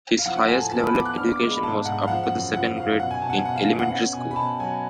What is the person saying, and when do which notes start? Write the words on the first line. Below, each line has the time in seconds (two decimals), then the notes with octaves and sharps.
His highest level of education was up to the second grade in elementary school.
0.19 F5
0.26 F3 F#5
0.37 F#5
0.48 A2 G#5
0.61 A5
0.71 B3 A5
0.83 B5
0.94 B3 D6
1.06 F#6
1.16 D4 F6
1.29 D6
1.40 G#3 D6
1.51 B5
1.63 G#2 A5
1.85 G#2 F#5
2.02 F5
2.08 F3 F#5
2.23 F#5
2.31 F#2
2.53 F3 F#5
2.77 F#2 F5
2.99 B2 F#5
3.11 G#5
3.22 B2 A5
3.30 F#5
3.33 G#5
3.45 B2 F#5
3.56 F5
3.68 B3 F5
3.80 F#5
3.90 C#4 F#5
4.13 B2 G#5
4.31 B5
4.36 B2 A5
4.59 F#3 G#5